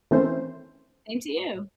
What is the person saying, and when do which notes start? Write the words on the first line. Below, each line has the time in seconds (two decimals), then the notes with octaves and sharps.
Same to you.
0.11 D#3 E3 A3 C4 C#4 C5